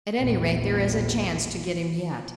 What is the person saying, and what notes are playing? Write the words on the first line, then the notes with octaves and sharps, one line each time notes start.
At any rate, there is a chance to get him yet.
A#1 E2